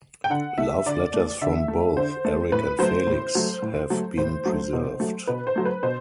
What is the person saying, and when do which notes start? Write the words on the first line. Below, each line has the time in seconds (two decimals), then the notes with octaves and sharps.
Love letters from both Eric and Felix have been preserved.
0.24 G5
0.30 D3 F#5
0.58 A3 E5
0.86 D3 D5
1.14 A3
1.41 D3 E5
1.68 A3
1.97 D3 C5
2.25 A3
2.52 A2 B4
2.79 F#3 A3 C5
3.07 A2
3.35 F#3 A3
3.62 A2
3.90 F#3 A3
4.17 A2 C5
4.46 F#3 A3
4.73 B2
5.00 F#3 A3
5.27 B2 B4
5.47 C5
5.56 F#3 A3
5.65 B4
5.83 B2 C5